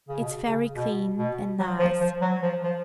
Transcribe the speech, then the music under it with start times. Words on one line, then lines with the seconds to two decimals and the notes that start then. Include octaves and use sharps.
"It's very clean and nice."
0.09 C#3
0.20 B2
0.47 C#3
0.76 B2
1.18 B2
1.59 F#3
1.79 F3
2.00 F3
2.21 F#3
2.43 F3
2.63 F3